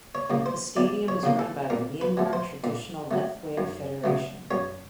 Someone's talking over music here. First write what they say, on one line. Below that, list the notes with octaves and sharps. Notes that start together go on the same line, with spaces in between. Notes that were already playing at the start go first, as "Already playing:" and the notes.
The Stadium is run by the Myanmar Traditional Lethwei Federation.
C#5
C#3 F3 A#3
C5
E2 D5
C#5
C#3 F3 A#3
A4
A#2 A#4
B4
F#3 A3
C5
A#2
F#3 A3
F#2
C#3 F#3 A3
F#2 C#5